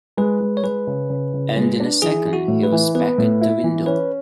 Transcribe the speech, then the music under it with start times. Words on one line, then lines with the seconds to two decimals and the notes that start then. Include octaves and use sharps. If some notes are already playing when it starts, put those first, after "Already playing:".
And in a second he was back at the window.
0.17 G#3 B4
0.41 G#3
0.57 C#5
0.64 G#3 B4
0.87 C#3
1.10 C#3
1.34 C#3
1.56 G#3
1.80 D4
2.02 E3 G#4
2.25 E3
2.33 F#4
2.48 A2
2.63 B4
2.72 E3
2.95 B3 B4
3.18 A2
3.41 E4
3.64 E3
3.86 C#4 B4